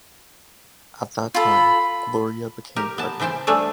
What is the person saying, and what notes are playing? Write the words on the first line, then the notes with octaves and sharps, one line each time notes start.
At that time Gloria became pregnant.
F4 A4 B5
G4 A#4
B3 A5
C#3 E3 C5 G5 A5
G3 A3 C#4 D4 G#4 A4